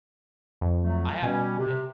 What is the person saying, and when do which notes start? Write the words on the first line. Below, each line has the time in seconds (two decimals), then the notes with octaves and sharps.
I have to quit.”
0.61 F2
0.83 F#3 A3
1.23 B2 G3 C#4
1.57 C3